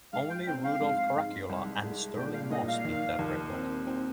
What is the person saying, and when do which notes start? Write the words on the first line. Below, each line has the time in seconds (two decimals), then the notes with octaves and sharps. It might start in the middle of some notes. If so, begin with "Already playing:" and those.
Only Rudolf Caracciola and Stirling Moss beat that record.
0.13 G#2 F5
0.30 G5
0.47 C4 G5
0.64 F5
0.81 G#2
1.15 G#2
1.49 C2
1.83 G#3
2.17 A#2 G5
2.34 F5
2.51 A#2 D#5
2.68 F5
2.85 D#3
3.19 D#2
3.53 C4
3.87 C4